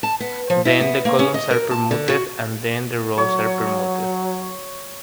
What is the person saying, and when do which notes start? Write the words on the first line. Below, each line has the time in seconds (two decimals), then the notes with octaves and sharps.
Then the columns are permuted, and then the rows are permuted.
0.03 A5
0.20 B3
0.50 F3
0.65 E4
0.81 B3
1.05 A#3
1.19 C#4
1.34 D#5
1.51 A#4
1.71 A5
1.91 D3
2.10 F#4
3.18 F#3 C#5